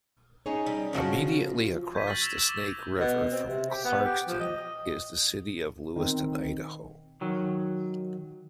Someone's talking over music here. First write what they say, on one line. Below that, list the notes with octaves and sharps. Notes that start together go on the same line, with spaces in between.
Immediately across the Snake River from Clarkston is the city of Lewiston, Idaho.
C#4 D#4 G#4 C#5
G3
C#3 F3 F4 F#4
C#6 G6 G#6 B6 D#7
F6 A6 A#6 D#7 F#7
E6 F6 A6 A#6 E7 F7
E6 G#6 E7
D6
B2
C4
C3
G4
B3
G4
F3
D#5
D#3 C4
D#3 F#3